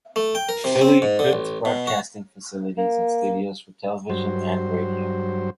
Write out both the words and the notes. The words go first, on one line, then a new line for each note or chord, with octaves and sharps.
Fully equipped broadcasting facilities and studios for television and radio.
A3
G5
A#4
C3
C4
G#2
D3
A1
B2
F#4
A#3
G2 F#3 C5